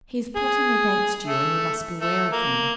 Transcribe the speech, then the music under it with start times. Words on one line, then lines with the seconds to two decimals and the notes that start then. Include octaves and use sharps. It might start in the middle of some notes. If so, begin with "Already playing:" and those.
He is plotting against you, and you must beware of him.
0.36 G#4
1.27 A3
2.02 A3
2.33 A#3